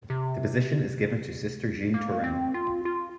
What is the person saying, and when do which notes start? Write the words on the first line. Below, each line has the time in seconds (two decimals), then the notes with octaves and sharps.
The position is given to Sister Jeanne Turenne.
0.10 C3
1.94 A#3
2.24 C4
2.54 F4
2.85 F4